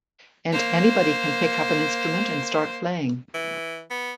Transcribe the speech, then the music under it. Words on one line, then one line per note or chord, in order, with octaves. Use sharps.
And anybody can pick up an instrument and start playing.
A#3 C5
E3
B3